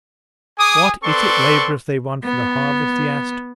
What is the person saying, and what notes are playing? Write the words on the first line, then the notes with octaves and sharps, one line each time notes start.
"What, is it laborers they want for the harvest?" he asked.
G#4 G#5 D6 D#6
C4 A4 B4 D5 C6 C#6
B3